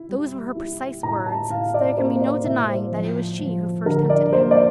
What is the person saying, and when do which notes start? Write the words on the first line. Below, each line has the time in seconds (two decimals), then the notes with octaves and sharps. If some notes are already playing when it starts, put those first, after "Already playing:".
Those were her precise words, so there can be no denying that it was she who first tempted him.
Already playing: E4
0.09 G3
0.55 E4
1.03 A2 A#5
1.26 A5
1.50 A2 F5
1.74 D5
1.98 A#3 C5
2.16 C5
2.21 D5
2.44 A2 E5
2.68 C5
2.92 F3
3.39 F3
3.86 D3 A#4
4.10 D5
4.33 A#3 C5
4.51 D5